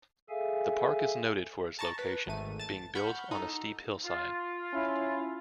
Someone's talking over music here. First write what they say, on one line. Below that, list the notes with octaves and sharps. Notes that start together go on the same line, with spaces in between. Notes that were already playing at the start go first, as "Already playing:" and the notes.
The park is noted for its location - being built on a steep hillside.
G#4 A4 E5 F5 G#5
A5 A#5 C#6 A6
B4
G#1 A3 D#7
A5 A6
F#5 B5 C#6 F6 G6
D#4 A4
F4
C#4 E4